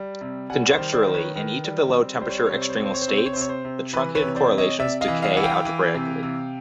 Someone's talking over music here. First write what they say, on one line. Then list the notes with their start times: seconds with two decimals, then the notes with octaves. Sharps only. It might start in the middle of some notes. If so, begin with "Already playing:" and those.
Conjecturally, in each of the low temperature extremal states the truncated correlations decay algebraically.
Already playing: G3
0.21 C3
0.50 G3 F#5 G#5
0.71 C5 D5
0.78 D#3
0.92 C5 D5
1.07 D#3
1.14 B4 C#5
1.36 D#3 B4
1.64 G3
1.93 C4
2.21 G3 C5
2.30 C#5
2.37 C5
2.46 C#5
2.50 C3 C5
2.62 C#5
2.69 C5
2.77 C4 C#5
2.85 C5
2.94 C#5
3.02 C5
3.08 C3 C#5
3.17 C5
3.26 C#5
3.33 C3 C5
3.41 C#5
3.49 C5
3.65 C3
3.93 E3 B4
4.15 B4 C#5
4.22 C3
4.36 C5 D5
4.51 C3
4.58 C#5 D#5
4.80 C3 D5 E5
5.01 D#5 F5
5.08 E3
5.22 D#5 F5
5.33 E3 F#5
5.44 F5 G5
5.65 E3
5.94 C3
6.23 C3